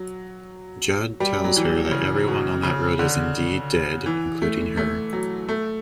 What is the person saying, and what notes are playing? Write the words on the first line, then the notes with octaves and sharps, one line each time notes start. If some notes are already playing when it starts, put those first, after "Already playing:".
Jud tells her that everyone on that road is indeed dead-including her.
Already playing: F#3
G3
F#3
E3
C#3
B2
C#3
D3
E3
A3
A3
F#3
A3